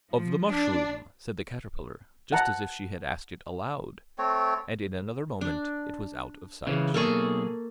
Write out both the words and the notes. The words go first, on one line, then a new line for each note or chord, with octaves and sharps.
'Of the mushroom,' said the Caterpillar, just as if she had asked it aloud; and in another moment it was out of sight.
F3
D4
F#5 A5 A#5
A3 C4 C#5
D4
C#3 E3
B1 A#3 G#4 A4 C#6